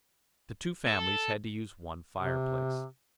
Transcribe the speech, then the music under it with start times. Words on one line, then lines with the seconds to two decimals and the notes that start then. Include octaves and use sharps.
The two families had to use one fireplace.
0.87 A4
2.16 C3